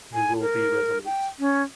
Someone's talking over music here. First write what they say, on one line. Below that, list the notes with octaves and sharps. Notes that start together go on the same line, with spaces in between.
We will be resolute!
G#5
A#4
G5
C#4